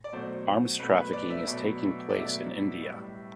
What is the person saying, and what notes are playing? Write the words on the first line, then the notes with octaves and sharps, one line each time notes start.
Arms trafficking is taking place in India.
D5
B2 F#3 A3 C5
B2 F#3 A3 B4
B4
D5
E5
B2 F#3 A3 D5
D5
B2 F#3 A3 E5
A2 G3